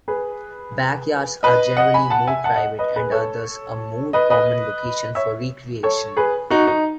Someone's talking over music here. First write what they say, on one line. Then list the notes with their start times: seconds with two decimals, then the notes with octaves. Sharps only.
Backyards are generally more private and are thus a more common location for recreation.
0.08 G#4 B4
1.43 B4 D#5
1.77 D#5 F#5
1.94 G#5 B5
2.10 F#5 A5
2.27 E5 G#5
2.44 F#5 A5
2.56 D#5 F#5
2.79 B4 D#5
2.96 G#4 B4
3.12 A4 C#5
4.13 B4 D#5
4.30 B4 D#5
5.15 C#5 E5
5.83 A4 C#5
6.17 G#4 B4
6.50 D#4 F#4
6.67 D#4